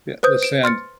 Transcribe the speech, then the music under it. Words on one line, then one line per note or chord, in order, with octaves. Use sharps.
Yeah, the sand
B4 C5 D#6 G6
D7 E7
C6 F6 A6 C#7